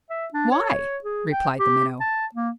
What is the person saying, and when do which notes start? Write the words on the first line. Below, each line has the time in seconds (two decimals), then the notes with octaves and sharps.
"Why?" replied the Minnow.
0.10 E5
0.33 D4
0.51 C#5
1.04 G#4
1.31 G5
1.59 G4
2.00 A5
2.34 A#3